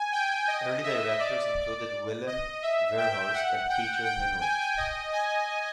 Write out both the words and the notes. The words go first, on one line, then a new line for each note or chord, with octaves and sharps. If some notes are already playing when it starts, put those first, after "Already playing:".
Early directors included Willem Verhulst and Peter Minuit.
Already playing: G#5
G5
D#5
E5
D5
D#5
E5
G5
F#5
G5
G5
G#5
D#5
G#5